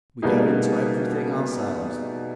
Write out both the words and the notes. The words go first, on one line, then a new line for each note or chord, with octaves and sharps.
We go into everything ourselves.
B2 G3 A3 A#3 D#4 G#4